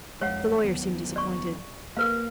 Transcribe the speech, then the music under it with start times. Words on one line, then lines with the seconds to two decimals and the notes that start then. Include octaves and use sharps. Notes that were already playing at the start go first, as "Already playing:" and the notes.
The lawyer seemed disappointed.
0.21 F2 G#3 C#5 F5 F#5
0.64 D#2 F#3 B3
1.16 D5 C#6
1.97 A#3 A#4 B4 F5